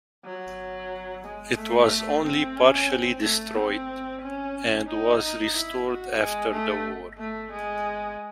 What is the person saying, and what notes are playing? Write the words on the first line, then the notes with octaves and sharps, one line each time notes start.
It was only partially destroyed, and was restored after the war.
F#3
G#3
A3
C4
C#4
C4
A3
C4
C#4
D#4
E4
F#4
G#3
A3
A3
G#3